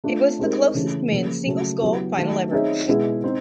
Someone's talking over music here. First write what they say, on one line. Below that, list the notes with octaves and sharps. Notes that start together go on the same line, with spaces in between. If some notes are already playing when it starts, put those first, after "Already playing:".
It was the closest men's single scull final ever.
A3 D4 F4
G#3 C4 D#4 G4 A#4
C#3 E3 A3 C#4
C#3 F3 A#3
C#3 F#3 A3 C#4 F#4
F#3 B3 E4 G4
D#3 F#3 A3
C4 D#4 G#4 C#5 E5
B2 G#3 B3 E4 G#4
C4 D#4